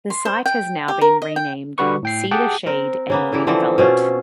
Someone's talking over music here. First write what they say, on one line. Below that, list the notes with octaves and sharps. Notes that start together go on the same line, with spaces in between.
The site has now been renamed Cedar Shade and redeveloped.
C6
C5
G5
G4
A#4
D#5
G5
D3 G3 F#4 B4 C#6
A2 G5 C7
G4 G#4 F#5 G5 A5
C4 A#4
C#3 A#3 B3
D3 E3 E4 G4
D3 E3 F3 C4
B2 C4 C#4 F4